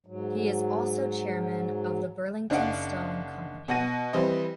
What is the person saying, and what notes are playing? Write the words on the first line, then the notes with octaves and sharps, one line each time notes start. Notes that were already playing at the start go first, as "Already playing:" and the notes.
He is also chairman of the Burlington Stone Company.
G#2 F#3
F#1 D4 D#4 F5 F#5 D7
B2 F#5 A#6 D#7
E3 G3 C4 D#5